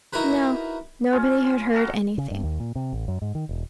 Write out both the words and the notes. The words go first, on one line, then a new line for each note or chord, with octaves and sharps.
No, nobody had heard anything.
D#4 E4 F#4 A#4 B4
C#4 F4 C#5
F#4 A4 F5 A#5
C#3
G2
D#2
A#2
C3
A1
F#2
G#2
D#3
E1